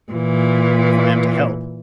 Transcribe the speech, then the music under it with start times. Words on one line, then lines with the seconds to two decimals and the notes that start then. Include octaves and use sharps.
"If I am to help...."
0.12 A#2 E3